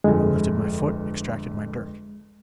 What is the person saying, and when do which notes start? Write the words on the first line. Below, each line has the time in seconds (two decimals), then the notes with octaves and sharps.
I lifted my foot; extracted my dirk.
0.04 G1 F2 G#3